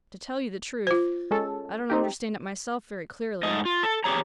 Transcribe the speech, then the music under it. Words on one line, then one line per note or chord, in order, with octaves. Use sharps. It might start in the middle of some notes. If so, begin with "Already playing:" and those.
To tell you the truth, I don't understand it myself very clearly.
F4 C5
G#3 C#4 A4
C4 D#4 G4
G#2 A3 D#5
F4
A4
E2 G4 G#4 C#5 A#5